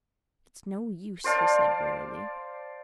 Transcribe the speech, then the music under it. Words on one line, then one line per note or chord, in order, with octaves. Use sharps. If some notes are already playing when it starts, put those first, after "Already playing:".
"It's no use," he said wearily.
C5 D5 F5 A5